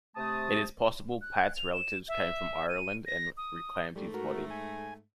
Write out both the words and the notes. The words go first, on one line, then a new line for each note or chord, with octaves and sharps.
It is possible Pat's relatives came from Ireland and reclaimed his body.
C3 A3 A5 D#6
F#6
F7
E7
E5
D#7
A#6
D#6
G#2 G3 A3
F#4 A#4
G#5